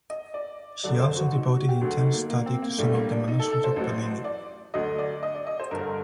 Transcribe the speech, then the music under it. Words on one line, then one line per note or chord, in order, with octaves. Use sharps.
She also devoted intense study to some of the manuscripts of Bellini.
D#5
D5
F#1 F#2 D3 F#3 D5
C5
F#4
D#4
F#4
F#4
G4
D2 D3 F#3 F#4
D#4
A#3
A#3
C4
A#3
A#1 A2 G3 A3
A#3
D4
D#4
A4
A4
C5
A1 A2 F#3
D5
D2 D3 F#3 D#5
D5
D#5
D5
D#5
C5
G1 G2 D3 A#4